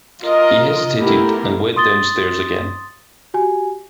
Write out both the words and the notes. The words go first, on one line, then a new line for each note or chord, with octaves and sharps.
He hesitated and went downstairs again.
F4 A#4 D#5
A3 B3 E4 G4 A#4
C6 D#6 A6 G7
F#4 G4 G#5